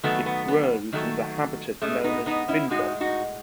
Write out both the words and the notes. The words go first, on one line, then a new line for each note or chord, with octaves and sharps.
It grows in the habitat known as fynbos.
D#3 F#3 A3 B3
B3
B3
D#3 F#3 A3
A2 G#3 A3 C#4
B3 D#4
B3 D#4
C#4 E4
A2 G#3 D#4 F#4
D#4 F#4